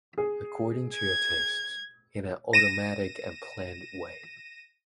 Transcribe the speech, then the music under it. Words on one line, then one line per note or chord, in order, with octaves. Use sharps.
According to your tastes, in an automatic and planned way.
G#4
G#6
A#6 D#7 E7